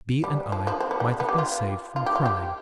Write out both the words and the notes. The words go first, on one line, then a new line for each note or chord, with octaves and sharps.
B. and I might have been saved from crime.
G3
F3
F3
C4
B3
G3
B3
G4
F4
F4
G4
F4
G4